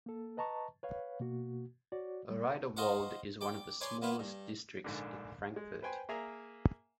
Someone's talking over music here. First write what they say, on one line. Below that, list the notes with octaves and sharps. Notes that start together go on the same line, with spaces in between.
Riederwald is one of the smallest districts in Frankfurt.
A#3 A4
B4 D#5 A5 A#5 C#6
B4 C#5 F5
B2 A#3 F#4
F#4 C#5 D5
G3
C5 D#5 F5 F#5 A#5 C#6
D5 G5
B4 C#5 D5 G#5 C6
A#3 B3 E4 F4 B4
G2
A#1 G#2 D3
G#3
B4 C5 G5 G#5 C6
A#3 G#4 E5 F5 G#5 A#5